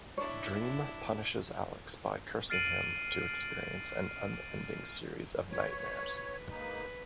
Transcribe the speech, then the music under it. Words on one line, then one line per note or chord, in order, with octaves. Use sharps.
Dream punishes Alex by cursing him to experience an unending series of nightmares.
D4 E4 C#5 A5
F6 A6 C7 D7 D#7 F#7
B4 C#5
G#2 A#3 D#4 B4